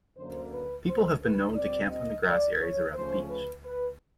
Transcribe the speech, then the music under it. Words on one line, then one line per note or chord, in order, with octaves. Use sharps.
People have been known to camp on the grass areas around the beach.
F#2 D3 F#3 A#3 C5
B4
C5
B4
A#2 G3 C4 D5
D#5
D5
C#5
C#3 F3 A3 C#4 C5
B4
B4